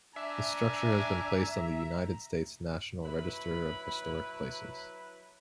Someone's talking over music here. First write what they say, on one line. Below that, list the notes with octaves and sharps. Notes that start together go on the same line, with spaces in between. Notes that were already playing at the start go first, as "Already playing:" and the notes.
This structure has been placed on the United States National Register of Historic Places.
D4 E5 G#5 A#5
F#3 E4 B4 B5